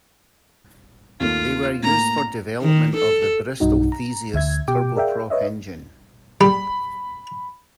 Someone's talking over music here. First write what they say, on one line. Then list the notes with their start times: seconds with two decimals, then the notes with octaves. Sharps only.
They were used for development of the Bristol Theseus turboprop engine.
1.20 D#2 A3 A#3 F4
1.83 A2 A#3 A#5
2.62 D#3
2.97 A4
3.60 B1 G2 D#4 F#4
3.92 A#5
4.34 D2 E5 G#6
4.68 B2 G4 G5 D6
4.96 G#4 A#4 D5 E5 F5 G5
5.30 B4 C#5 D#5 E5
6.41 G3 B5